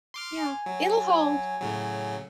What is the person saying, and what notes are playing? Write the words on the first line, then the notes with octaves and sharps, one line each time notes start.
Yeah, it'll hold.
C6 D6 F6
G#5
F#3
A2 C#3 F#3